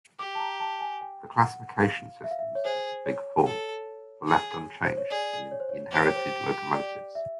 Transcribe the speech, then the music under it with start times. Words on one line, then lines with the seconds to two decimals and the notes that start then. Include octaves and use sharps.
The classification systems of the 'Big Four' were left unchanged for the inherited locomotives.
0.19 G4 D6
0.35 A5
0.40 A#5
0.60 A5
0.80 G#5
1.01 G5
1.42 F#5
1.83 F5
2.24 E5
2.31 F5
2.39 E5
2.55 C#5
2.64 G#4 C5
3.06 C#5
3.46 A4
4.28 G#4
4.85 C5
4.97 C#5
5.11 G#4 D5
5.51 C#5
5.60 C5
5.69 C#5
5.92 G4 C5
6.04 C#5
6.16 C5
6.74 D5
7.15 E5